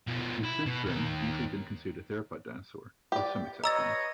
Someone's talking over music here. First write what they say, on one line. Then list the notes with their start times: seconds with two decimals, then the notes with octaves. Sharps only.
It has since then usually been considered a theropod dinosaur, with some exceptions.
0.08 B2 F3
0.44 E4
0.66 B2
0.86 D#2 D#3
3.12 G4 D5
3.64 B4 C#5 D#5 A#5 E6 A6